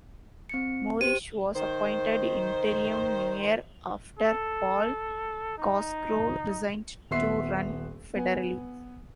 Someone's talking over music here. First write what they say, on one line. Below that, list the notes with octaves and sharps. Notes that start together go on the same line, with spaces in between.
Morrish was appointed interim mayor after Paul Cosgrove resigned to run federally.
C4 C#7
G4 C5 D#7
D#3 C5
A4
D#4
D#1 B3 B4 E5 C6 C7
B3 G#5